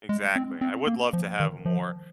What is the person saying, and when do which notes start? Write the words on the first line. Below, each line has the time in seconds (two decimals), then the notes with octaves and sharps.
Exactly. I would love to have more
0.09 G#3
0.36 C4
0.61 C4
0.87 A#3
1.13 F3
1.40 D#3
1.65 F3